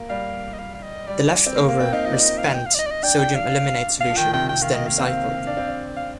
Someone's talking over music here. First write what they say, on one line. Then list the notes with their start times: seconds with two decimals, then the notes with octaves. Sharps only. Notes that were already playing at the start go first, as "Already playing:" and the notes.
The left-over or 'spent' sodium aluminate solution is then recycled.
Already playing: A#3
0.09 G3 F5
0.53 D#5
0.58 F5
0.74 F5
0.82 D#5
1.07 G3 D5
1.46 C4
1.56 A#3 F5
1.69 A#3 F5
1.80 C4 G5
1.93 D#4 F5
2.05 F4 D#5
2.13 D5
2.21 D#5
2.38 F5
2.54 G5
2.66 F5
2.74 D5
2.78 D#5
2.86 D5
2.91 D#5
3.03 D4 G5
3.19 G5
3.35 F5
4.01 F5
4.10 F3
4.17 D#3 G5
4.33 C3 G5
4.49 C3 G5
4.61 D#3 F5
4.74 A#3 D#5
4.87 A#3 F5
4.98 C4
5.47 D4
5.57 C4
5.67 D4
5.97 F5